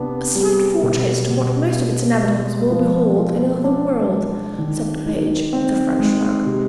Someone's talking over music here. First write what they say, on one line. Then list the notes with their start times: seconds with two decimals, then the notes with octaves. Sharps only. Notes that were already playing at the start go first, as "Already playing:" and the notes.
"A slight foretaste of what most of its inhabitants will behold in another world," said the page, with a French shrug.
Already playing: C3 B3 D4
0.35 G3
0.83 B2
1.30 B2
1.76 B3
2.24 G#3
2.71 F3
3.18 F4
3.64 D4
4.12 G#3
4.58 D#3
5.06 D#4
5.53 C4
5.99 G#3
6.46 C3